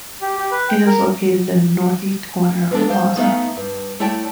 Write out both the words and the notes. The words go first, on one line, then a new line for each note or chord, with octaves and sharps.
It is located in the northeast corner of the Plaza.
G4
G4
B4
G5
A#4
E3 G#3 A3 B3 D4 A4
C5 F5
A3 B3 D#4 E5 F5
G2
A3 E4 C#5 D5 G5 A5